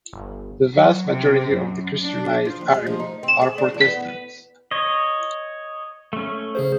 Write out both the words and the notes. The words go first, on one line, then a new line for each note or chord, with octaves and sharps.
The vast majority of the Christianized Ari are Protestants.
G1
F#3
C3
F#2
D4
F3
D#2
G#3
F3
D#4
C4
G#4
D4
E2
B3
C#5 D#5
A3 C#4
C#3 G#4 C5